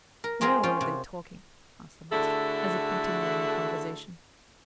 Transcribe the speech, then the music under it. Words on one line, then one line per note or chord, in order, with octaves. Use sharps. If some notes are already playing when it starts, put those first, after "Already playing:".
"Where were they talking?" asked the master, as if continuing the conversation.
A#4
G#3 C4 F4 G#4 A#4
C#4 F4 G5
C3
D3 A3 E4 F#4 G#4 A4